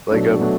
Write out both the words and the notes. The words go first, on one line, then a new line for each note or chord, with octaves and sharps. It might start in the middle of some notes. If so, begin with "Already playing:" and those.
like, um
B2 F#3 A3 D4
B2 F#3 A3 D4